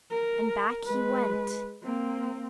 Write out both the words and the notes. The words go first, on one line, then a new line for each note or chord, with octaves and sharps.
And back he went.
A#4
G#3 B4
A#3 C4